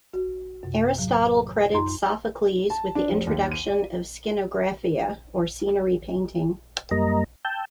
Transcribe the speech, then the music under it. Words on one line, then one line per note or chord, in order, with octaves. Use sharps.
Aristotle credits Sophocles with the introduction of "skenographia", or scenery-painting.
F#4
F#2 C3
A2 F#3
F#2 D#4 A#5 C6
A5
D4
F1
D#2
D#7
D5
F#2 G3 A#3 D#5 A#5
G5 A5 E6 G6